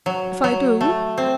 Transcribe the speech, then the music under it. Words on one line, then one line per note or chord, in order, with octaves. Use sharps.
"If I do?"
F#3
F#3
A3
C4